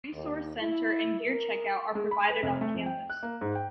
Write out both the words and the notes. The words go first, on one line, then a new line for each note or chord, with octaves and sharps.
A resource center and gear checkout are provided on campus.
D#2
E4
A#4
G#3
B5
B4
F1
A3
F2
G5
F#6
A#3
G#2
G5